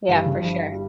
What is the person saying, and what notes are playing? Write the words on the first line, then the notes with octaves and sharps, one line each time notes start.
Yeah, for sure.
G1 G2 E3 G3
E3
C#3
G1 G2 F3 G3
G3